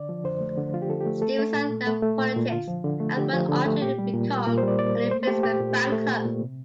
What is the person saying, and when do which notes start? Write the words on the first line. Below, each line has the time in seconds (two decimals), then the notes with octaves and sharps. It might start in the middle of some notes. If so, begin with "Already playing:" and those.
Stevenson left politics and went on to become an investment banker.
Already playing: D3 D5
0.09 F3
0.24 D3 C5
0.41 A3
0.57 D3
0.74 F3 F4
0.82 G4
0.90 D3 A4
1.00 G4
1.06 A3
1.22 A3 A4
1.39 A3
1.54 A#2
1.70 A#2
1.87 A3
2.03 A3
2.19 A#2
2.36 A#2
2.52 D3 F4
2.68 F3
2.84 D3
3.00 A3
3.17 D3 G4
3.33 F3
3.49 D3
3.66 A3
3.82 A#2 G4
3.99 G3
4.14 A#2
4.30 A#3
4.46 A#2 A#4
4.58 C5
4.63 G3 D5
4.78 A#2 D5
4.96 A#3
5.11 A3 C5
5.23 C5
5.27 A3 G4
5.33 A4
5.43 A#2 G4
5.60 A#2
5.76 A3
5.92 A3
6.08 A#2
6.25 A#2
6.41 C3